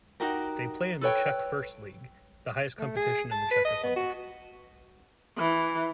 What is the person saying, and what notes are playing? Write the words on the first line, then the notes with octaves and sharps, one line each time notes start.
They play in the Czech First League, the highest competition in the Czech Republic.
D#4 F#4 G4 A#4
A4 B4 C#5 G5
A3
G#4
A5
B4
D#5
B3
F#4
E3